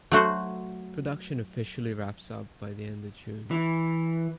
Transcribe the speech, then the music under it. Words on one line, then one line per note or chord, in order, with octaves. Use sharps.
Production officially wrapped up by the end of June.
F#3 A3 F#4 C5
E3